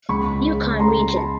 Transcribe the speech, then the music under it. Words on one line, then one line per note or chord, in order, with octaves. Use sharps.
Yukon region.
C#2 B5 C#6
C#3
C#3 A#5 C6
A5 B5